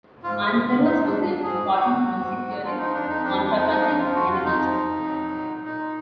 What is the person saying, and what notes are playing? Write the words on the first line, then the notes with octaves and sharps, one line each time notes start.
Mantzaros was an important music theorist, contrapuntist and teacher.
G#2 F4
G#2
F#3
G#2
G#2 D#4
G#2
D4
F#3
D4
F#3
G#2 G#4
F#3
F#3 F#4
F#3
F#3
G#2
G#2
F#3
F3 F4
F3 D#4
F2 D4
F2 D#4
F3 D4
F2
F4
F3 D#4
F3
D4
F2 D#4
F3 F4
F2 F#4
F2 F4
F2 D#4
F3
F2
F2
F#3
F#3
A#2
A#2
A#2 D#4
A#2